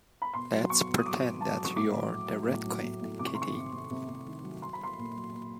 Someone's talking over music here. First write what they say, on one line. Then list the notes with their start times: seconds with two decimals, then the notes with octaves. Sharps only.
Let’s pretend that you’re the Red Queen, Kitty!
0.22 B5
0.34 B2 C6
0.52 F#3
0.70 B2 C#6
0.88 B2
0.98 D#6
1.06 F#3 D6
1.23 B2
1.41 F#3 A5
1.58 F#3
1.65 C#6
1.76 A2 D6
1.94 F#3
2.13 F#3
2.30 F#3
2.49 A2
2.65 F#3
2.83 A2
3.02 A2
3.19 C3 D6
3.27 C#6
3.35 C6
3.37 D#3 C#6
3.55 C3
3.73 C3
3.91 C3
4.08 C3
4.26 D#3
4.43 F#3
4.62 F#3 C6
4.73 B5
4.80 F#3 C6
4.98 A#2
5.15 F#3
5.32 A#2